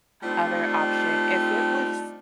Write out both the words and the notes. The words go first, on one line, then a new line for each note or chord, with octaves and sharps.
other option, if it was
G3 A3 C4 D4 D#4 F4